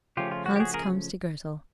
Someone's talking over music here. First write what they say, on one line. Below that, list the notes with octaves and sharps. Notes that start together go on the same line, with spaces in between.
Hans comes to Grettel.
C#3 F3 A3 C#4 F4 G4
F4
F#4
G4
F#4 G#4
G#4 A#4